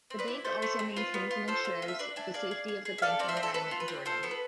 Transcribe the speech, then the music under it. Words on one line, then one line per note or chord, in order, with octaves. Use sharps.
The bank also maintains and insures the safety of the banking environment in Jordan.
C4
B4 D5
E4
A3 A4 C5
A3
C4
F4 B4
B3
F4
F4 A4 C5
F4
F4
E5
D4 B4 D5
D4 E5 G#5
G#4 D5 F5
G#4
G#4
G#4
E5
A4 D5 F5
C4 D5
C5 E5
C4
A4
A4 B4
F4
B4
C4
F4 A4 C5
B3 A4
B4